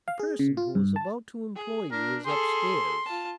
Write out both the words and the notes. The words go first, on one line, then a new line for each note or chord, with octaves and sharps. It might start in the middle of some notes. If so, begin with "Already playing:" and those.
"The person who is about to employ you is up-stairs."
F5
G#4
C#3
F4
G2
A5
G#4
D4 A#4
G#4 A4 C6
F4 A5